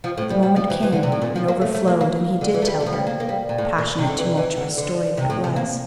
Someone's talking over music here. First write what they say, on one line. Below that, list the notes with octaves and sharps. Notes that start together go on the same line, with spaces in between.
But the moment came, and overflowed, and he did tell her--passionate, tumultuous story that it was.
F3
A2
G3
G3
F3
E3
E3
D3
C3
A2
A#2
F3
A#3
A3
A3
A#3
A#3
D3
E3
A3
G3
A3
F3
G3
A#3
A#3
G3
A#2
A2
A#2
C3
D3
E3
E3
D3
D3
C3
A2
C3
A#3